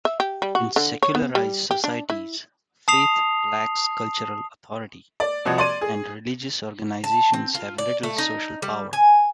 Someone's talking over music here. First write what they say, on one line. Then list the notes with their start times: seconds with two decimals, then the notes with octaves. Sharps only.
In secularized societies faith lacks cultural authority, and religious organizations have little social power.
0.05 E5
0.20 G4
0.42 G3
0.55 F#4
0.76 D3
1.03 C#5
1.15 B3
1.35 G3
1.71 G4
1.84 D4
2.10 E4
2.88 A5 D#6 C7 F7
5.20 D5
5.45 C2 F3 F#4 D#5 F#5 G#6
5.58 D5 C6 D#7
5.81 G#4
7.04 A5
7.33 C4
7.55 F4
7.78 D5
8.03 A3
8.18 D#4
8.62 G3
8.93 G#5